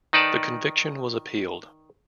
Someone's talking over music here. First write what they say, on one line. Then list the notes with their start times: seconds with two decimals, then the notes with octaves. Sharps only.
The conviction was appealed.
0.13 D#3 D#4 B4 D5 A5